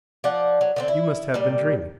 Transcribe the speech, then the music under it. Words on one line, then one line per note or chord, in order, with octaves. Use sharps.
You must have been dreaming!
F3 D5 F#5
F#3
D3 B3 C4
E4
A#2 G3